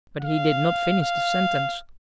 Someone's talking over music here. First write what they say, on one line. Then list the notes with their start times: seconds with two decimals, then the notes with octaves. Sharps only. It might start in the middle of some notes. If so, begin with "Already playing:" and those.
But he did not finish the sentence.
0.21 F5
1.02 F5